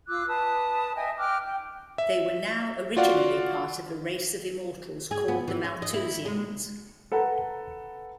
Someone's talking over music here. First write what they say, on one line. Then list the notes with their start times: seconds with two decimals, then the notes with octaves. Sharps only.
They were now originally part of a race of immortals called the Maltusians.
0.07 F4 D6 E6 F#6
0.27 B4 A5 D#6
0.95 D#5 E5 G5 G#5
1.17 G5 D6 F6 F#6
1.44 G5
1.98 E5
2.97 F4 F#4 D5 F5 F#5
5.11 G#4
5.28 B3
5.48 E3
5.64 C#4
5.82 D#5
5.94 E4
6.25 G#3
7.12 A4 B4 F#5 A#5